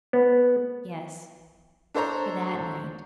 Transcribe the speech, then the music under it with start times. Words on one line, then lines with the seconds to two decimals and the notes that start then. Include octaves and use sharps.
Yes, for that night.
0.13 B3
1.94 D4 A4 C5 C#5 A#5